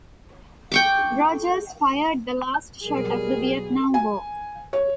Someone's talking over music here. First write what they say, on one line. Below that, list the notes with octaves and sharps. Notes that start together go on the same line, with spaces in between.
"Rogers" fired the last shot of the Vietnam War.
G5 C#6 D6
B1 G3 G#4 A#4
G#5
C#5